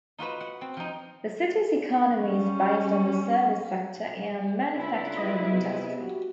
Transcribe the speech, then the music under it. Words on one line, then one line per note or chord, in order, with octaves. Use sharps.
The city's economy is based on the service sector and manufacturing industry.
D#4 F4 F#4 B4
F#5
C4
F3 D#4
G3 C#4
C#3 D4 E4 F4 B4 E5
G#4 D#5 E5
C3 B3
F#4 G4